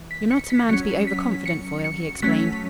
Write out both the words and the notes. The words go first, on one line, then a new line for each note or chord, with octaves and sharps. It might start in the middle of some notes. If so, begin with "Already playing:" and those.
"You're not a man to be over-confident, Foyle," he explained.
Already playing: E3
B6
C#7
B6
F#3 C#4 C#7
B6
C#7
C#7
F#3 A3 C#4 B6